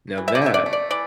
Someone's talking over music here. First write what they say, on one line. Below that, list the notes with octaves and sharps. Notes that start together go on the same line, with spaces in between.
Now that
E3
E5
D5
A3 E5
D5
A3
D5
E3 D5